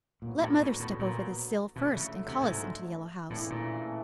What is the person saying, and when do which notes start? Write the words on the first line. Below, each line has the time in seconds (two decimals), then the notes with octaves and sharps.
Let mother step over the sill first and call us into the Yellow House!
0.22 A#2 D3 F#3 B3
0.42 A2
0.61 G#2
0.80 A2
0.99 A#2
1.76 B2 D3 F#3 A3
1.96 C#3
2.28 C3
2.41 G#2
3.30 A2 C#3 E3 A3 D4
3.50 A#2